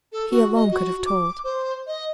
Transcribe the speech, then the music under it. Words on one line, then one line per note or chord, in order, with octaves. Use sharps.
He alone could have told.
A4
F#4
D#5
F#4
D6
C5
D#5